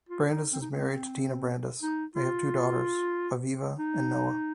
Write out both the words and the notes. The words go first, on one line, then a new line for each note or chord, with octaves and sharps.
Brandes is married to Deena Brandes; they have two daughters, Aviva and Noa.
F4
D#4
C4
D#4
C4
D#4
F4
D#4